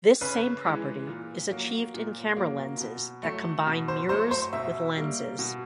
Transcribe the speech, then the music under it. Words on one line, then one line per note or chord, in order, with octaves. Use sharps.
This same property is achieved in camera lenses that combine mirrors with lenses.
C#3 B4
E3 G#3
A#2
F#3 A#3
A#2
F#3 A#3
B2
F#3 A3
B2
C5
F#3 A3 C5
C5
B2 E5
G3 A#3
B2